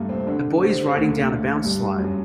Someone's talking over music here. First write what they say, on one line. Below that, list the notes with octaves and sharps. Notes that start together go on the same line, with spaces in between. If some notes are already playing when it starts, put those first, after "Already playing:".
A boy is riding down a bounce slide.
Already playing: G2 A#2 G3 A3 A#3
C3 C4
D3 D4
C3 C4
D2 D3
A#2 A#3
A2 A3
G2 G3
F#2 F#3